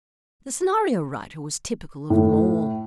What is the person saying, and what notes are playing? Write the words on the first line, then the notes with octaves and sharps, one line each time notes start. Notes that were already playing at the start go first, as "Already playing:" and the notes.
The scenario writer was typical of them all.
A2